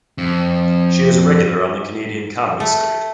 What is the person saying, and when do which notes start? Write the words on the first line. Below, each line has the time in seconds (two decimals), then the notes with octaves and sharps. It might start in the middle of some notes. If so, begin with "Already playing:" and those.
She is a regular on the Canadian comedy circuit.
0.18 F2
2.60 A3